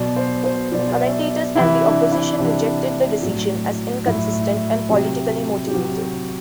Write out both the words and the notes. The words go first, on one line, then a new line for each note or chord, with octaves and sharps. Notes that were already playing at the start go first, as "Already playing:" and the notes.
Commentators and the opposition rejected the decision as inconsistent and politically motivated.
Already playing: B2 F#3 D5
C5
C5
B2 F#3 D5
C5
D5
E5
D5
C3 E3 E4
D4
E4
C3 E3 D4
A2 F#3
A2 F#3 E4
C3 F#3
G4
C3 F#3 F#4